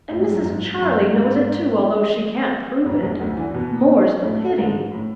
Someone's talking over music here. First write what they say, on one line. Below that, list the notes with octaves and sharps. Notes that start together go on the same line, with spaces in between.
And Mrs. Charley knows it too, although she can't prove it--more's the pity!
A2
G#2
F#2
G#2
F#2
G#2
A1 A2
B1 B2
D2 D3
E2 E3
B2 B3
A2 A3
A3
G#2 G#3
A2